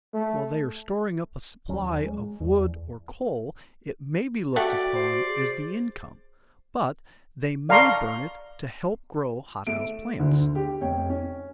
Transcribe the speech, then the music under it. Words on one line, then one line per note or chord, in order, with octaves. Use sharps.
While they are storing up a supply of wood or coal it may be looked upon as the income, but they may burn it to help grow hothouse plants.
A3
D#2 F#3 C#4
G#3
E2
A3 F#4 G4 D5 F#5
C5
G#4
D5 F5 A5 A#5 C6 C#6
A3 E5 D7
D2 D3
G4
F1 C#5 G5
C#4